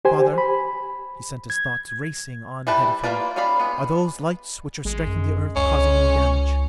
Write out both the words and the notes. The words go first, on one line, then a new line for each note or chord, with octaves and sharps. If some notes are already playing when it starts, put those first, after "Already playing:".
"Father," he sent his thoughts racing on ahead of him, "are those lights which are striking the Earth causing any damage?"
G4 C5 G#5
B5
G#6
G3 E4 B4 A5 B5
A#3 F4 A#4 B4 D5
D#3 C#4 D5 F5 B5
G#3 B3
G#1 G#3
F#2
C#2 C#4